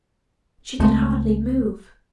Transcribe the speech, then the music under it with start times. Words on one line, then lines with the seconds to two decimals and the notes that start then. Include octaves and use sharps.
She could hardly move.
0.80 C#2 G#3 A3 C4